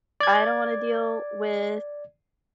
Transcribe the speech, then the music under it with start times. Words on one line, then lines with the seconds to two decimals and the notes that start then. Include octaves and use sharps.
I don't wanna deal with,
0.20 D5 G#6